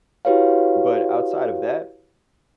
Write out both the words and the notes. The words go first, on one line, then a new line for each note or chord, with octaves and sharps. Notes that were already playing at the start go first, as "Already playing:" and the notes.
but outside of that,
E4 F#4 G4 B4 C#5 F5